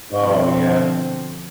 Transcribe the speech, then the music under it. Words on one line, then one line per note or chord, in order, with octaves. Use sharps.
Oh, yeah.
B2 D3 F3 C4